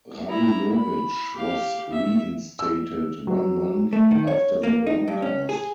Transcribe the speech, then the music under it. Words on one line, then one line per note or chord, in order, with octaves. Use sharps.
Radulovich was reinstated one month after the broadcast.
E4 A#5
B5
G4 F5
E5
E6
F#3
A3
D#3
C#5
A#3
D#4
G2
C#4
G#4